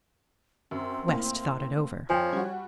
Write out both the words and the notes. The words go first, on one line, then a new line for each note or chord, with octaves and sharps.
West thought it over.
F#2 C4
A2 A#3 F4
F2 F3 C#5 G5 G#5
G3 F#4 D6